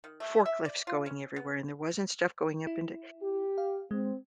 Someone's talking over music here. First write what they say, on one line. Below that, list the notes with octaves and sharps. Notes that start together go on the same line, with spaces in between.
forklifts going everywhere, and there wasn't stuff going up into
D#3
A3
E5
D5
F4
C#4
B3
E4
G4
F5
G#3 C4